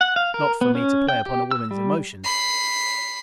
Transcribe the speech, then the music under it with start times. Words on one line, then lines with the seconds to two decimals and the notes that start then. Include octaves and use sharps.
Not for me to play upon a woman's emotions!
0.01 F#5
0.16 F5
0.34 A#4
0.61 B3
0.75 C#4
1.09 G5
1.26 G4
1.51 E6
1.71 G3
2.24 B5 C7